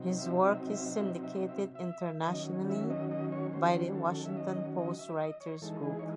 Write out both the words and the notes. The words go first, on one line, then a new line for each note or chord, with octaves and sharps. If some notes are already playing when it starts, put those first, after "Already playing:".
His work is syndicated internationally by The Washington Post Writers Group.
Already playing: C3 F#3 C4 D#4
E5
E5
E5
E5
E5
E5
E5
E5
D#3 F#3 C#4 D#5
E5
D#5
D#5
C#5
C5
A4
C5
A4
E5
D#5
D#5
E5
D#5
C#5
E3 G#3 D#4 A4
G#4
C#5